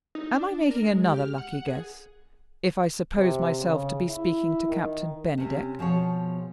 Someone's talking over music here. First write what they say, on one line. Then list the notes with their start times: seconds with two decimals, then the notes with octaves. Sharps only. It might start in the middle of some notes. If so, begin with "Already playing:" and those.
"Am I making another lucky guess if I suppose myself to be speaking to Captain Bennydeck?"
0.15 D#4
0.31 D4
0.71 A#4
0.84 G#3
1.05 G4
1.17 F6
1.38 F#5
1.51 F#5
1.68 G#4
3.15 C3
3.60 C#3
4.08 E4
4.69 D#3
5.38 C3 C#4
5.79 B2 F3 G#4 C#5